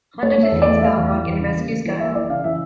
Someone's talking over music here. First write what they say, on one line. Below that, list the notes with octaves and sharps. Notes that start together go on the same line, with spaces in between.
Honda defeats Balrog and rescues Guile.
A3 C#5
A3 E5
E2
A3 D5
E5
A3 F5
E2
E3
E2
C#3
A#3
A#3
E3
A#3 E5
E3 D5
C#3 F5
E3 E5